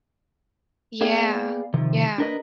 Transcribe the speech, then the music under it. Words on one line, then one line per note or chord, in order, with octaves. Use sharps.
Yeah, yeah.
A#3 B3 G#4 D5 F5 G5
C3 D#3 F3
D4 G4 A#4 B4 D#5